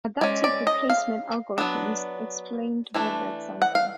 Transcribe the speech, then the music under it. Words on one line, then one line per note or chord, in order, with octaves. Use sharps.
Adaptive replacement algorithm is explained with the example.
G#3 C#4 D5
D5
D#5
F5
F#3 B3 D4
E3 A3 D4
F#5
F5